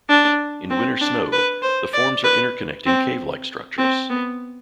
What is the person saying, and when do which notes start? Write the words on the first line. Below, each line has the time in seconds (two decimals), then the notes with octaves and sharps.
In winter snow, the forms are interconnecting, cave-like structures.
0.09 D4
0.70 C4
1.01 D4
1.32 B4
1.62 C5
1.93 D5
2.24 B4
2.86 C4
3.78 C4
4.09 B3